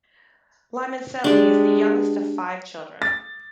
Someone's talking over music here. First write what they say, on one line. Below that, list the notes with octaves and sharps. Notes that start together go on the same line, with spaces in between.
Limoncelli is the youngest of five children.
G#3 D4 G4
A6